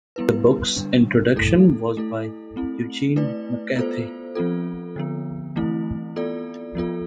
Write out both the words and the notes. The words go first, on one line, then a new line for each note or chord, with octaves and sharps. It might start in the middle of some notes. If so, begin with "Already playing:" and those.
The book's introduction was by Eugene McCarthy.
G3 B3 E4 B4
D3 G3 D4
A3 E4 A4
A3 E4 A4
A3 C4 E4
A3 E4 B4 D5
B3 F4 A4 C5
F3 C4 F4 A4
D3 F3 B3
E3 A3 C4 E4
B3 F4 A4 D5
F3 B3 F4 A4